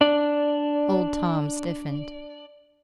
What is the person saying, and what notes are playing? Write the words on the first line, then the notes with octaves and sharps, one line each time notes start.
Old Tom stiffened.
D4 D5